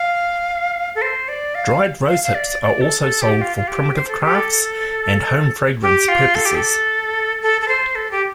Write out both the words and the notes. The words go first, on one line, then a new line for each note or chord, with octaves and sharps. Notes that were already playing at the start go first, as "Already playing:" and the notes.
Dried rose hips are also sold for primitive crafts and home fragrance purposes.
Already playing: F5
A4
C5
D5
F5
F5
F5
D5
D5
A4
A4
G4
F4
F4
G4
C5
A4
G4
A4
G4
F4
A4
G4
A4
A4
A4
C5
A4
G4